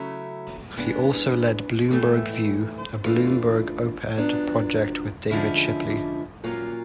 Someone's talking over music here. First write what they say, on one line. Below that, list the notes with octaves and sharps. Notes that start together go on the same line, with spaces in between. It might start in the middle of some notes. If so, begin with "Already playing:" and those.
He also led Bloomberg View, a Bloomberg op-ed project, with David Shipley.
Already playing: C#3 F#3 A3 C#4 E4
E3 G#3 B3 D4
A2 E3 A3
E3 A3 D4 F4
F#3 B3 D4 F4
D3 F3 G#3 C#4 E4
A#2 F#3 A#3 C#4 F4